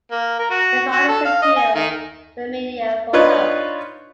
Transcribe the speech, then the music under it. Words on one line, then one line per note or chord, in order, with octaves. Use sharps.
The founders appealed to the media for help.
A#3
A#4
F#4
F#4
A4
F5
D#5
G#5
D#3
D4 D#4 F4 B4 C#5